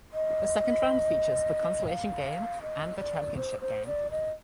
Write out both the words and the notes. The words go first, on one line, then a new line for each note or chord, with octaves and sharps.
The second round features the consolation game and the championship game.
D#5
F5
F5
D#5
D5
C5
C5
D5
D#5